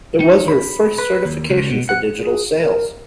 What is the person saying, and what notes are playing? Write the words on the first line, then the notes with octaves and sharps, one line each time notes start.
It was her first certification for digital sales.
D#4
B5
B4
D#2
C#2
B2
F#5
G#4
A#4